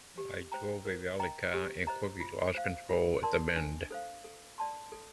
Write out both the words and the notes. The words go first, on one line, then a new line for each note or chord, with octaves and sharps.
I drove a rally car and quickly lost control at the bend.
G4
C5 G5 A#5
A#4
D#5 G5 A#5
G4
C5 D#5 A#5
F4
C5 F5
F4
A#4 D5 A5 C6
D4
A4 C5 F5
A4
D5 A5 C6
A4